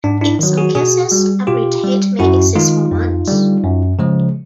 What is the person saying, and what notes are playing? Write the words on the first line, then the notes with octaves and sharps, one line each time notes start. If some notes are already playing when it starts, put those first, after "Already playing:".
In some cases a bridgehead may exist for months.
G#2 D4
D4 E4
D#3 F#3
F#4 G#4
B2 F#4 G#4
G3
B2 F4 G4
G3
F#2 E4 F#4
D#3 G#3 D#4 F4
F2
D3 G3
F#2
C#3 F3 G#3